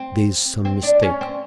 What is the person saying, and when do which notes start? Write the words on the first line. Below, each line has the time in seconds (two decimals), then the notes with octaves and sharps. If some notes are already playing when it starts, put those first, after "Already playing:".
"There is some mistake."
Already playing: C4
0.65 C4
0.83 D4
1.02 C#4
1.21 C4